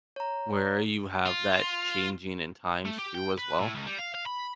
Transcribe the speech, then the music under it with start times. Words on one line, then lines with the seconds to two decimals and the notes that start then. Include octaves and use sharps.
where you have that changing in times too as well,
0.16 C#5 A#5
1.26 F4
2.86 A3
2.99 G4
3.15 G5
3.38 B4
3.59 A2
3.75 C#2
3.87 G3
3.99 F5
4.15 F5
4.26 B5